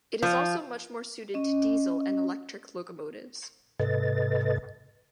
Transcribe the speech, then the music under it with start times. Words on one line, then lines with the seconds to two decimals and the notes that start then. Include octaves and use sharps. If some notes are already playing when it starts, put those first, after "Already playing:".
It is also much more suited to diesel and electric locomotives.
0.23 F3
1.34 C#4 D#5
3.80 G#2 C3 A4 B4 D#5 A6